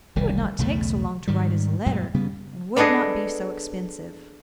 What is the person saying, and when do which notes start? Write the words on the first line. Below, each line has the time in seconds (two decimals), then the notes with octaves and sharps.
It would not take so long to write as a letter, and would not be so expensive.
0.16 E1 C2 D#3 G3
0.58 B1 E2 C#3 A3
1.28 G#2 D#3 G3
1.86 F#2 A#2 F#3 G#3
2.14 C#3 G3 B3
2.76 B3 D4 G#4 A4 D#5